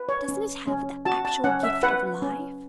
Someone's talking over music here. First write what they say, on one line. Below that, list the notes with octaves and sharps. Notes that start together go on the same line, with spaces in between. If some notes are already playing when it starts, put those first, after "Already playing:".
Doesn't it have the actual gift of life?
Already playing: B4
C#5
C#4
C#4
F#4 A5
A5
C#4 F#5
E5
B4 F#5
C#4